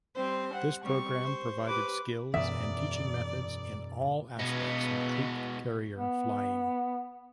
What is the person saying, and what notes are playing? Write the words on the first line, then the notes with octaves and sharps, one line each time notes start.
This program provided skills and teaching methods in all aspects of troop carrier flying.
G3 C4 C5
F#5
G3 C4 C#6
C5
G4 B4 D6
E1 F#2 E3 D5 E5 D#6
B2 G#3 B3
B3